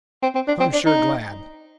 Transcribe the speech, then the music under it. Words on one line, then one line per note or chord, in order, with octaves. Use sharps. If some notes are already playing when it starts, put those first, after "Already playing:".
I'm sure glad.'
C4
C4
D4
C4
D4
D#4